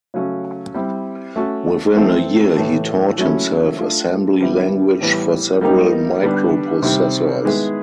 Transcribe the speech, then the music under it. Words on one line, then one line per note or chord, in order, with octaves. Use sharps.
Within a year he taught himself assembly language for several microprocessors.
C#3 F#3 A3 C#4 F#4
G3 C4 E4
A3 C#4 F#4
E3 A3 C4
A2 E3 A3
F#3 A3 C#4 E4
A3 D4 F4
D3 G3 B3 E4
A2 E3 G3 B3
G3 A#3 D#4 G4 A#4
D3 G3 B3 D4
C3 D#3 G3 C4
D#3 G#3 B3 E4 G#4